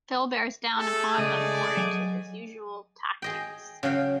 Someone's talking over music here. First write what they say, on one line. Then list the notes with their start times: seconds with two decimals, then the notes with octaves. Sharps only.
Phil bears down upon them according to his usual tactics.
0.78 A3 G#4 A4
1.18 C#2 D5 D#5
1.77 F#3 D#5 G#5
3.22 G#4 D#5 G5
3.83 C#3 F#3 F5 G5